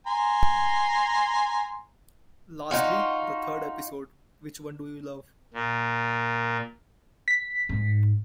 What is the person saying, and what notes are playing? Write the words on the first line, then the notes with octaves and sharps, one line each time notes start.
Lastly, the third episode, 'Which One Do You Love?
G#5 A#5 C6
D#4 F4 F#4
A#2
B6
G#2